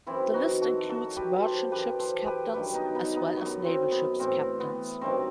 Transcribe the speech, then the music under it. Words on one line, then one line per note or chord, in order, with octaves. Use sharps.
The list includes merchant ship's captains as well as naval ship's captains.
F#2 E3 C4 E4
D#4 F#4
F#4 A4
F#2 F#3 F#4 A4
G4 B4
A4 C5
F#2 E3 G4 B4
A4 C5
G4 B4
G2 D#3 F#3 G4 B4
B3 D#4
B3 D#4
B3 D#4
F#2 F#3 B3
C4
B3
A2 E3 C4
B3
G2 D#3 F#3 C4